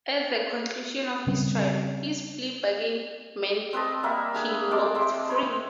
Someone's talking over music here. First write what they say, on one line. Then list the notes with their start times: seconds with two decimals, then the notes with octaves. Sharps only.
At the conclusion of his trial, his plea bargain meant he walked free.
1.27 C#3 G3 C4 C#4
3.73 C4 B4 D#5 A5
4.03 G3 A#3 E5 F#5
4.34 D4 G#4
4.71 G#3 C4 A5 D6
4.95 E5 C6 D6
5.29 C5 C#5 B5